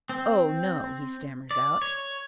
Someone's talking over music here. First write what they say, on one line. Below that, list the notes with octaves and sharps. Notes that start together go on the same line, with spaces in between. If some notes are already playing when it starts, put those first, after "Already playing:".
"Oh, no," he stammers out.
C4
D5
C#5